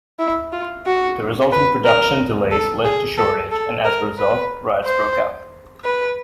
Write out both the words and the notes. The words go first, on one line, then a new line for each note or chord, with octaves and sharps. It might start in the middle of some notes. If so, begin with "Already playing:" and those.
The resulting production delays led to shortage and as a result, riots broke out.
E4
F4
F#4
B4
A#4
A4
G#4
A4
A4
A#4
B4
C5
B4